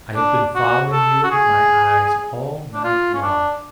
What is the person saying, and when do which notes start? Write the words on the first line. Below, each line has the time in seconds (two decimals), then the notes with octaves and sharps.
I have been following you with my eyes all night long.
0.16 D4
0.55 F#4
0.92 A4
1.24 F#4
1.31 G#4
2.74 D4
2.84 F4
3.14 C#4
3.22 D4